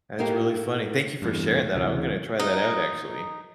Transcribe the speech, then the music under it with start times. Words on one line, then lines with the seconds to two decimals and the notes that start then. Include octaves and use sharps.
That's really funny. Thank you for sharing that, I'm gonna try that out, actually.
0.19 A2 A#3 D#4 G4 A#4 F5
1.22 E2 G2
1.75 D2 C3 E3
2.40 D#4